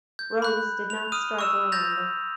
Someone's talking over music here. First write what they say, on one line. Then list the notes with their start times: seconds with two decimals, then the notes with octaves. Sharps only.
Rose did not strike land.
0.19 G6
0.42 B5 F#6
0.90 F7
1.12 D#6 F6 D#7
1.39 C#6 E6 E7
1.72 G6 A6 A#6 F7